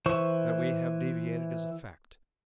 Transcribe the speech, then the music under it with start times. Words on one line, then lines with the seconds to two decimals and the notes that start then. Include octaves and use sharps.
That we have deviated is a fact.
0.06 E3 C5 C#6